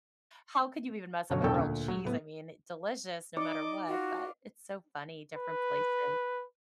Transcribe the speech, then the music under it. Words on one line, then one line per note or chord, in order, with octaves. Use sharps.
"How could you even mess up a grilled cheese?" I mean, delicious no matter what, but it's so funny. Different places
G1 B2 F#3 C#5
E1 A#1 E2 A4 G5 C#6
D2 A#2
F#3
A2 B3
D#4 D5 D#5 D6
F4 F#4
B4